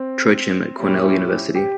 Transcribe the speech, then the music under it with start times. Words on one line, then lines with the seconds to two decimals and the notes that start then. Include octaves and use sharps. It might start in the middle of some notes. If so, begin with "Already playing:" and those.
Trochim at Cornell University.
Already playing: C4
0.77 A#2 G3 C#4 E4 G4
1.55 G4